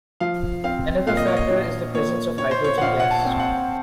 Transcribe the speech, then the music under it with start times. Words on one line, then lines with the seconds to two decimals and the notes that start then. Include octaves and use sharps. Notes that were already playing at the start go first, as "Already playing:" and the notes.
Another factor is the presence of hydrogen gas.
0.20 F3 F5
0.64 C4 F5
1.07 A#2 F5
1.17 D#5
1.27 C#5
1.37 D#5
1.50 A#1
1.94 A#2 C#5
2.38 A#1 C#5
2.51 C5
2.64 C#5
2.78 F#5
2.81 A#1 F5
3.00 F#5
3.11 A5
3.25 C4
3.40 F#5